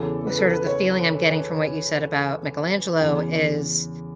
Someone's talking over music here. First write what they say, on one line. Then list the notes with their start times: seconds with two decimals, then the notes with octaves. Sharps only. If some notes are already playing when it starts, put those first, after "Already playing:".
sort of the feeling I'm getting from what you said about Michelangelo is
Already playing: E2 C#3 E3 A4
0.27 B4
0.38 A4
0.50 B4
0.66 C#5
3.01 E2 C#3 E3